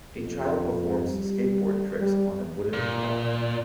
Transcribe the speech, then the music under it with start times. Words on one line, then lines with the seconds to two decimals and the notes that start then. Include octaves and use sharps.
A child performs skateboard tricks on a wooden platform.
0.16 F2
1.09 G3
2.00 G3
2.73 A#2